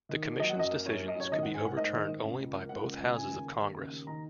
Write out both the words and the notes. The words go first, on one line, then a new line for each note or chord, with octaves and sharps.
The Commission's decisions could be overturned only by both houses of Congress.
D#3
D#2
F#3 D#5
F#5
F#2 D#5
A#3
F#2 C#5
F#3
D#5
F#2 C#5
D#3 D#5
F#5
G#2
G#5
A#3 F#5
G#2 D#5
D#3
G#2
C#3
C#2
A#3
C#2 F#5
C#3
C#2
C#3 G#5
D#2
A#3
D#2
C#3
D#2
D#3 A#5